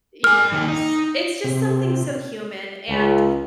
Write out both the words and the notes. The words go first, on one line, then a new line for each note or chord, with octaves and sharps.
Yes, it's just something so human, and,
A#4 G#5 F6
D#2 D#3
D#4
C3
C#2